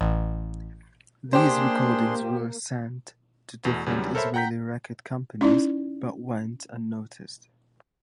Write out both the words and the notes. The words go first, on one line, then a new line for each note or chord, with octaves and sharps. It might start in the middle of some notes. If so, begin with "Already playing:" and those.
These recordings were sent to different Israeli record companies but went unnoticed.
A1
A#3 D4 G4 G#4 C5 C6
E2 B2 A3
E2 C#3 F#3 G3
A4 A#4 C5 C#5 E5 B5
F#5 G5 A#5 G6 B6
C#4 D#4 E4 D5